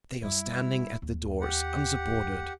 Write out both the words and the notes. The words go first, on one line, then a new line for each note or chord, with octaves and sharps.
They are standing at the doors unsupported.
F#2 G3 E4
D#2
G4 F#5